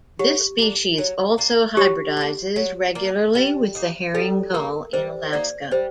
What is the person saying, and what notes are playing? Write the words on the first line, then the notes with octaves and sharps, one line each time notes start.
This species also hybridizes regularly with the herring gull in Alaska.
F#3 G4
A#3 D4
F#3
A#3 D4
F#3 G4
A#3 D4
F#3
A#3 D4
G3
A#3 D#4
G3 A4
A#3 D#4 A#4
G3 C5
A#3 D#4 D5
G3 C5